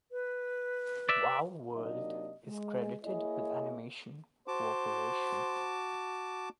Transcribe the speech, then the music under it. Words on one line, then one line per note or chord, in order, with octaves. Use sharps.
Wao World is credited with animation cooperation.
B4
D5 E5
C3 F#3 A#3 D4 D#4 D#5
G#3
A#3 E4 G#4 C#5 D#5
F#4 C5 A5 D6